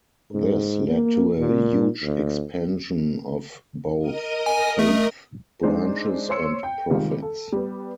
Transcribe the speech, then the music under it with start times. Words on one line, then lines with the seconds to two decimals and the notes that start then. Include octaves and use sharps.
This led to a huge expansion of both Faith branches and profits.
0.32 G#2
0.91 A#3
1.39 A#2
2.03 D2
4.00 A#4 D#5 D#6
4.46 G#5
4.79 A3
5.63 G#3 D4 D#4 C5
6.29 C5 C#5 C6 E6 C#7
6.63 G5
6.90 C3 D#3 F3 G3 G#3 C4
7.22 A4
7.52 G3 B3